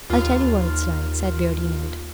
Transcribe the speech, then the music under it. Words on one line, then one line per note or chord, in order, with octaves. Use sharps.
"I'll tell you what it's like," said Beardy Ned.
D#2 F4 F6